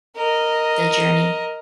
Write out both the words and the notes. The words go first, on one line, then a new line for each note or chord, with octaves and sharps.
the journey.
A#4 D#5